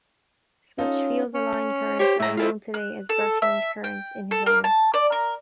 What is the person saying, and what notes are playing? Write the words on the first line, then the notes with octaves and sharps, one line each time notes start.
Such field-aligned currents are known today as Birkeland currents in his honour.
C#4 D#4 F4 A4
C#4
G4 C5 C#5
A2 E5 A#5
E4 F4 A4 C5
F#6
A4
E5
G5
A4
A#3
A5
D5
A#4